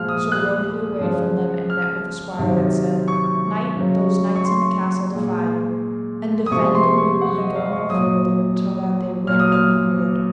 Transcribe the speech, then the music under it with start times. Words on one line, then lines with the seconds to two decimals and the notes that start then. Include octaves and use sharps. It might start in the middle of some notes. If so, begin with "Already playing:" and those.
So rode he away from them and met with a squire that said: Knight, those knights in the castle defy you, and defenden you ye go no further till that they wit what ye would.
Already playing: A#2 F3 G#3 F6
0.09 D#6
0.32 F#6
1.00 C#3 F3 G#3
1.70 F6
2.39 C3 D#3 F#3
3.08 C#6
3.76 C#3 F#3
4.35 C#6
4.45 C6
5.14 A#2 G#3
6.46 D#6
6.51 C3 F3 G#3 C#6
6.75 C6
6.98 C#6
7.21 F#5
7.38 D#5
7.55 F5
7.72 C#6
7.90 A#2 F#3 D#6
9.27 A#2 F#3 F6
9.40 D#6
9.52 F6